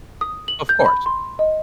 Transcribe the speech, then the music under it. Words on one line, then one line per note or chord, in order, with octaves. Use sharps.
Of course.
D#6
F#7
G6
B5
C6
D#5